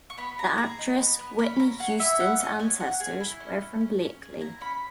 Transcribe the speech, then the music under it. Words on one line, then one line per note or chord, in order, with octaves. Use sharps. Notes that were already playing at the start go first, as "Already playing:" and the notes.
The actress Whitney Houston's ancestors were from Blakely.
C#6
B3 B5
B3 A#5
G#4 A#5
D#4
B3
B3
C#4 B5
C#4 A#5
G#4 F#5
E4 E5
C#4 F#5
C#4 D#5
C#4 G#5
C#4 F#5
G#4 G#5
E4
C#4
C#4
C#4
C#4
G#4
E4 A#5
C#4 B5